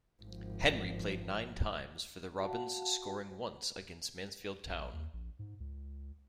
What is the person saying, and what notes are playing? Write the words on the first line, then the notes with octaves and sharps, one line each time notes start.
Henry played nine times for the Robins scoring once against Mansfield Town.
G#1 F3
F#4 F5 F#5 A5
A#1
D#2
A#1
G#2
C#2